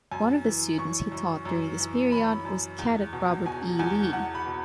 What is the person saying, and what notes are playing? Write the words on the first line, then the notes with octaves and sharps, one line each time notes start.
One of the students he taught during this period was Cadet Robert E. Lee.
F#2 G#5
E3
E3 C#6
F#2
F#2
E3
E3 B5
F#2
E2
B2
B2 G#5
E2 G#5
E2 F#5
B5
B2